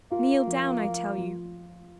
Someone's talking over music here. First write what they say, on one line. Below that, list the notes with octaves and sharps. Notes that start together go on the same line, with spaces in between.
Kneel down, I tell you.
A#3 F4
F3
F3
F3